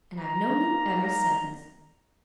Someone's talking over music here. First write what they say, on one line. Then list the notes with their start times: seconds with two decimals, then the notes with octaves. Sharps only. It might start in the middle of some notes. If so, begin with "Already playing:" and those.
"And I've known you ever since."
0.17 A#5
0.45 A#3 D#4
1.02 A#5